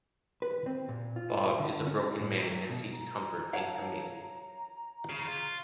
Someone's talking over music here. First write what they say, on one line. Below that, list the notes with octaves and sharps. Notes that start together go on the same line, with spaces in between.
Bob is a broken man and seeks comfort in Camille.
B4
C4
A#2
F4
D3
C#4
A2
F#3
B2
A#5
C#5 F5 F#5 A5
C#3
F4